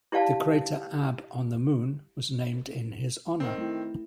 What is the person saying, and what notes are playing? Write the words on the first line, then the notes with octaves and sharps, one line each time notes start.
The crater Abbe on the Moon was named in his honour.
E4 G4 D5 F5 A5
D#3 C4
A3 E4